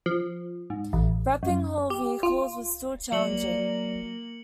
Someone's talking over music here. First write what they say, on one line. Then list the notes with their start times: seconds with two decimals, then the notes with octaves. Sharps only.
Wrapping whole vehicles was still challenging.
0.06 F3
0.70 G#2
0.93 A1
1.43 F#2
1.90 G4
2.23 F4
3.12 F#3 A#3 D5 C#7 F#7 G7